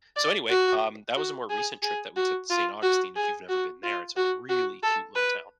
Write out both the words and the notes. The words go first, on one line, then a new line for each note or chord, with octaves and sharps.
so, anyway, um, that was a more recent trip that we took to Saint Augustine, if you've never been there, it's a really cute little town.
D5
F#4
F#4
G#4
G#4
F#4
F4
F#4
G#4
F#4
F4
F#4
F#4
A4
B4